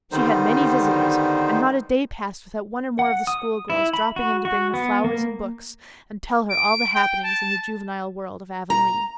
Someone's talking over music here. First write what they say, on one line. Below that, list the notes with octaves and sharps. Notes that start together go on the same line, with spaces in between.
She had many visitors and not a day passed without one or more of the schoolgirls dropping in to bring her flowers and books and tell her all the happenings in the juvenile world of Avonlea.
D3 D#3 G3 B3 D#4 C5
F#5
D#6
E4
B5
F#4
F#4
B3
A#3
D7
G5
A5
A#5